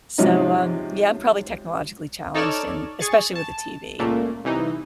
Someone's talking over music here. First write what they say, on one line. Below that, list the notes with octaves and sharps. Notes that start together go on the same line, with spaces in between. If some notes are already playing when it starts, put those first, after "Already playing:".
So, um, yeah, I'm probably technologically challenged and especially with the TV.
G#2 C3 F3 F#3 C#4 D#4
D#4 A4 C#5 D5 F6 E7
G#4 C#6 A6
A5
C#2 A#2 A3 A#3
C2 E3 D#4